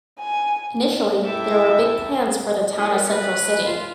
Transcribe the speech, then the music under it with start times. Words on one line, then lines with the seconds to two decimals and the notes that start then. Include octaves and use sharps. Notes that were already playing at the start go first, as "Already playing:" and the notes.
Initially, there were big plans for the town of Central City.
0.19 G#5
1.22 E4 A4 E5 G5 D6
2.78 A3 C#4 D4 E4 G#4 A4
2.91 G3 B3 C#4 F#4 A#4 D#5
3.12 B4
3.66 F4